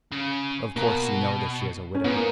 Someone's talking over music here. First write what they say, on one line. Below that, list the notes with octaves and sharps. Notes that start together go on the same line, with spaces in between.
"Of course you know that she is a widow."
C#3
B2 A#3
C#4
G#2 B3
A#3